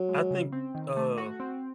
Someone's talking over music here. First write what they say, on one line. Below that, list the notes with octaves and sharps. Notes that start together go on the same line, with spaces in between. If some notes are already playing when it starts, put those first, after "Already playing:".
I think, uh,
Already playing: F#3
G#3
C#3
C4
D#3
A3
F#4
C4